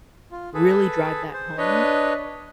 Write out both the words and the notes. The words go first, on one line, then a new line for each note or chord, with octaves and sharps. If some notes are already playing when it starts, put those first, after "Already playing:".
really drive that home
F4
G#4 A4 B4
C5
D4 B4 C#5 D#5